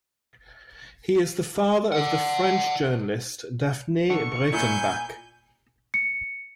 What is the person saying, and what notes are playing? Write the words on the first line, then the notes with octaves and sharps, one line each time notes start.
He is the father of the French journalist Daphnee Breytenbach.
D5 F#5
D3 C#6
A#2 E4 G#5 G6
C#7